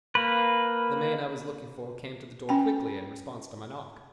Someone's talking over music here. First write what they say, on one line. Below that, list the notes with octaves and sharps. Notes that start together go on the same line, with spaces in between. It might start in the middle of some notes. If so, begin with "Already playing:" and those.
The man I was looking for came to the door quickly in response to my knock.
A#3 B4
C#4 G5 G#5